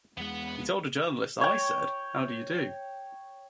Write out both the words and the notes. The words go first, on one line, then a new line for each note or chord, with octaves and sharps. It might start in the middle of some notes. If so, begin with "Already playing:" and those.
He told a journalist, I said, 'How do you do.
E2 G#3 B3 F#5
C#5 G5